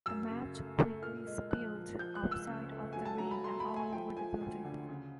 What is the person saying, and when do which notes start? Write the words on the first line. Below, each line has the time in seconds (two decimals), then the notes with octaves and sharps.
The match quickly spilled outside of the ring and all over the building.
0.06 F#2 E6
0.30 C#3
0.54 A3
0.79 A3
1.03 A#2 F6
1.27 G#3
1.51 F3 F#6
1.75 F3
1.99 F3 G6
2.15 F#6
2.23 C#2
2.31 E6
2.48 C#3
2.72 A3
2.93 F#3 G#5
3.05 A5
3.18 F#3 A#5
3.31 B5
3.44 A3 C6
3.60 B5
3.68 A3
3.76 G#5
3.92 F3 G5
4.17 F3 G#5
4.41 D2
4.65 D3
4.89 C#3